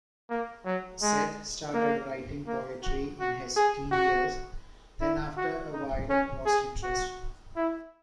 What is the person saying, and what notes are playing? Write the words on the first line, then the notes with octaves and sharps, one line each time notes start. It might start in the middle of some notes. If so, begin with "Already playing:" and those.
Seth started writing poetry in his teen years, then after a while lost interest.
A#3
F#3
G#3
A#3
A#3
F#4
F#4
G#4
F#4
E4
F#4
D#4
C#4
G#4
F#4
E4